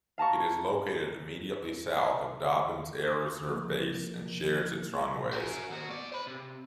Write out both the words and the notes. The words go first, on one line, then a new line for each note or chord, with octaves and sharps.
It is located immediately south of Dobbins Air Reserve Base and shares its runways.
F5 A5 A#5 C#6
F3 A#3
F#4 A#4
D#2 F#4
E2 D5
C5 B5
C3